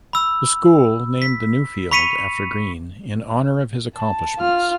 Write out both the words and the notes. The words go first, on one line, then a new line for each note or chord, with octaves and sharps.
The school named the new field after Green in honor of his accomplishments.
B5 E6
B6
B5 C#6 B6 C#7 D#7 F7
A5
F4 F6